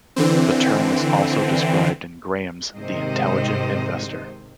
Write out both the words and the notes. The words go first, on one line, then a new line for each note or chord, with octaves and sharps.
The term is also described in Graham's "The Intelligent Investor".
D3 E3 C4
G#2 C3 D#3 C5 D#5